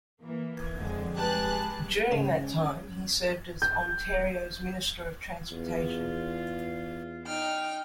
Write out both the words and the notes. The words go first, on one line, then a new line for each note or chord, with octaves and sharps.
During that time, he served as Ontario's Minister of Transportation.
E3 A#3
F2 D3 G#3
G#3 G4 G#4 B4 A5 F#6
G#2 C#3 C#4 C6
G6
E2 F4
D#4 G5 F6